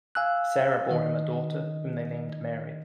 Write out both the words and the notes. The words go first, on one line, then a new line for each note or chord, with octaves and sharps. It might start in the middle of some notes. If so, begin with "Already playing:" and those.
Sarah bore him a daughter whom they named Mary.
F5 G#5 E6 F#6
D#3 D#5